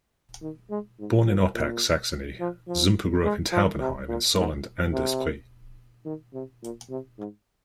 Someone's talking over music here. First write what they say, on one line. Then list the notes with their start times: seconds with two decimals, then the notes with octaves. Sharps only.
Born in Oppach, Saxony, Zumpe grew up in Taubenheim in Sohland an der Spree.
0.41 D#3
0.70 G#3
0.99 G#2
1.26 A#2
1.55 A#2
2.40 F3
2.67 F3
3.24 G#3
3.52 F3
3.80 C3
4.08 A#2
4.37 G#2
4.92 C3
6.05 D#3
6.33 C3
6.63 A#2
6.90 C3
7.18 G#2